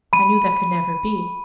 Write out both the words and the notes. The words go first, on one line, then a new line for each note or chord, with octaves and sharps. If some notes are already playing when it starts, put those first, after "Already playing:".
I knew that could never be.
B5 D#7